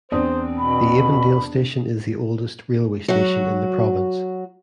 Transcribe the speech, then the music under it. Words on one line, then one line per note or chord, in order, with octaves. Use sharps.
The Avondale station is the oldest railway station in the province.
E2 C4 D4 C5 D#6
B2 B5
F#3 F#4